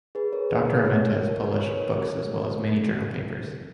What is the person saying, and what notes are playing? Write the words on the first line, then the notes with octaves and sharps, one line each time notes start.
Doctor Amenta has published books as well as many journal papers.
G#4 B4
A#4 C#5
G#4 B4
A#4 C#5
A#4 C#5
B4
A#4 C#5